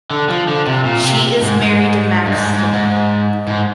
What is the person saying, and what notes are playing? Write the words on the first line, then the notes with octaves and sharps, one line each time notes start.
She is married to Max Thorne.
D3
F3
D3
C3
A#2
C3
G#2
G#2
G2
G#2
G#2
G#2
G#2